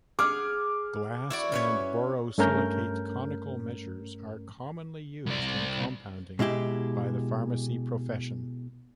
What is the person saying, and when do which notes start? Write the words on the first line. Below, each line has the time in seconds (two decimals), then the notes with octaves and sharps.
Glass and borosilicate conical measures are commonly used when compounding by the pharmacy profession.
0.19 G#4 F#5 D6 F6
1.30 E4 F#4 D5
1.52 C#4 B4 C#5
2.38 G2 A3 C#4 A#4 F6 G6
5.26 C2 D5
6.39 B2 G#3 E4 G4